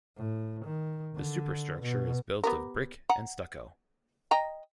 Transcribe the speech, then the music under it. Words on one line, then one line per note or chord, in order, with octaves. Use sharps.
The superstructure is built of brick and stucco.
A2
D#3
D3
B2
B3 G4 A#4
F#5 A#5
D#5 G5 A#5